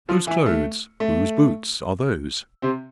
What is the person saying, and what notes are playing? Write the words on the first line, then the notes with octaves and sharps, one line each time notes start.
Whose clothes, whose boots, are those?
F3 F4
E3 E4
A3
A3
C3 C4